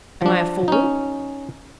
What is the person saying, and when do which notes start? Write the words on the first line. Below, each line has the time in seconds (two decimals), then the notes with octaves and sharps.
"Am I a fool?"
0.22 F3 D4
0.68 C#4 D#4